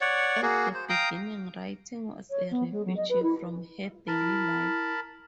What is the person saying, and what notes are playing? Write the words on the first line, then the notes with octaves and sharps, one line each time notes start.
At the beginning writing was a refuge from her daily life.
C#5 D5 F#5
A#3 F#4 G#4
C5
F5 G5 A#5 D#6
C#5
B3
G#3
F#3
D#5
B4
E4
E4 A#4 A5 B5